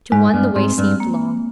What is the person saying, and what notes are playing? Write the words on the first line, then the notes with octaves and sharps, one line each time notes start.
To one the way seemed long.
G#2 G#3
G2
G#2 C4
G2
A#3